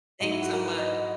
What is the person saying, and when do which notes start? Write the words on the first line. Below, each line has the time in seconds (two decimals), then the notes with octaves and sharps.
Thanks so much.
0.20 G#2 F#3 D#4
0.31 E4
0.42 F#4
0.53 A#4
0.64 B4
0.78 D#5
0.92 D#5